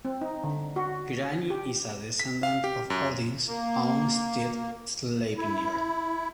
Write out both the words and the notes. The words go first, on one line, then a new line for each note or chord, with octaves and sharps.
Grani is a descendant of Odin's own steed, Sleipnir.
C4
D#4
D3
F#4
G4
B6
F5
G4
F#2
A#3
E4